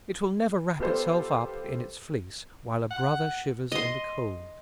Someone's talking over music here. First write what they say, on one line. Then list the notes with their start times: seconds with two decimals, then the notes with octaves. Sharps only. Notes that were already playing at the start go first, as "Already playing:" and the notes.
It will never wrap itself up in its fleece while a brother shivers in the cold.
0.80 B3 F4 G4 A4 B4 C5
2.91 F#5
3.72 D#5 C6